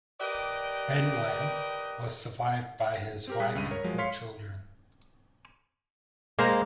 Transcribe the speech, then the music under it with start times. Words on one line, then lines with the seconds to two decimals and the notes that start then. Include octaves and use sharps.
Manlan was survived by his wife and four children.
0.21 G4 A#4 B4 D5 D#5 G5
3.27 C4 G4 A#4
3.40 G3 G#4 F#6 B6
3.55 C#2 G2 D#7
3.71 A#4 C#5
3.84 F3 F#3 G#3
3.98 C#5 F5 C6 B6 C#7
6.39 G#3 A#3 C5 A#5